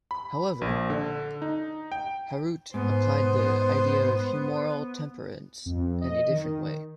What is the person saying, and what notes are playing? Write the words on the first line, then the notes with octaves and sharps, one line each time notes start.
However, Huarte applied the idea of humoral temperaments in a different way.
B5
A#1
D3
D#4
G5
G#2 B3 C5
F2
D#5
D#3